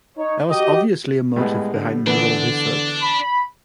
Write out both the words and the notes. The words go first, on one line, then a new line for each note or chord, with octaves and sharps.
There was obviously a motive behind neutral research.
D#4 C#5
F#3 G4 D#5
A2 G3 G#3 B3
D3
D3 E3 B3 D4
B5